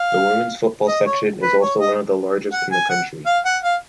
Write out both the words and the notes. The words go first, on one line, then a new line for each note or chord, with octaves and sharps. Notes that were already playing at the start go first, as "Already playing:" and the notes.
The women's football section is also one of the largest in the country.
Already playing: F5
D#5
C#5
B4
C#5
D#5
F#5
G#5
F#5
F5
F#5
F5